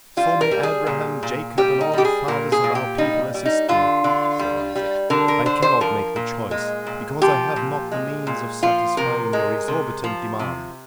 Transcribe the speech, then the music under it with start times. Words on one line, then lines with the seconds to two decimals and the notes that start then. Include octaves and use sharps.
"So may Abraham, Jacob, and all the fathers of our people assist me," said Isaac, "I cannot make the choice, because I have not the means of satisfying your exorbitant demand!"
0.17 G3 F4
0.41 A#4
0.51 G3
0.63 G#4
0.87 A#2
1.23 A#2
1.58 G3 G4
1.81 D#4
1.93 G3 G4
2.05 G#4
2.28 A#2 A#4
2.52 G#4
2.64 A#2
2.75 G4
2.98 G3 D#4
3.34 G3
3.45 D#4
3.69 D3 F4
4.04 D3
4.39 G3
4.75 G3
5.10 D3 A#4
5.28 A#4
5.46 D3 C5
5.62 C5
5.81 F3 A#4
6.16 A#2
6.51 G#3
6.87 A#2
7.22 F3 G4
7.56 A#2
7.92 G#3
8.27 A#2
8.63 F3 F4
8.97 C3 A#4
9.33 G#3
9.68 C3
10.04 F3
10.39 C3